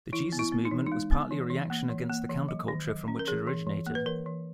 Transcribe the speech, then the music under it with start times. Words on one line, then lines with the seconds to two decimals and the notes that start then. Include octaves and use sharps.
The Jesus movement was partly a reaction against the counterculture from which it originated.
0.13 E3 E4
0.32 B3
0.39 E4
0.52 B3
0.65 D#4
0.71 E3
0.86 D#4
0.92 G#3
1.11 B3
1.31 E3
1.50 E3
1.70 A#3
1.90 E3
2.10 A#3
2.29 E3
2.49 F#3
2.68 D#3
2.88 F#3
3.08 C#4
3.19 A#4
3.27 E3 G#4
3.47 E3
3.67 E3
3.86 A#3
3.95 B4
4.06 E3 A#4
4.26 E3